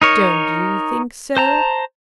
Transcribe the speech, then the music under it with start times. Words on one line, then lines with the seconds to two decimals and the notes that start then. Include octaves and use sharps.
'Don't you think so?
0.02 D#4 A#4 C#5
1.37 C5 A5 A#5